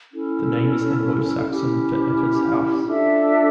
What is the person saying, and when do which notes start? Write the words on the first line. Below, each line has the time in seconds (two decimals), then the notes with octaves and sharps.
The name is Anglo-Saxon for "Effa's house".
0.12 C#4 E4 A4
1.48 C#4 E4 G4
2.85 D4 F4 A4 E5